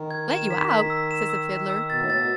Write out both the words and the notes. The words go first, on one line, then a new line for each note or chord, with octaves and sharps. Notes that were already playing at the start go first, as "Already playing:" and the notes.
"Let you out?" says the Fiddler.
Already playing: D#3
G#6
E7
B6
B6
E6
E7
E6
E7
E6
B2 A6
A2
B2 A6